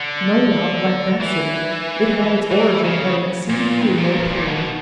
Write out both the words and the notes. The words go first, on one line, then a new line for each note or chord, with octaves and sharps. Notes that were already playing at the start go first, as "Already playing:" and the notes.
No doubt, like that city, it had its origin at an exceedingly remote period.
Already playing: D3
E3
E3
C#3
A#2
G2
A#2
G2
A#2
B2